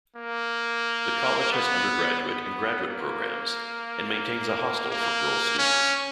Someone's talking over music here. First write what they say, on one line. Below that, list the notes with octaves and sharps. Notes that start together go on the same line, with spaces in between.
The college has undergraduate and graduate programs, and maintains a hostel for girl students.
A#3
B3
B3
A#3
A#3
C#4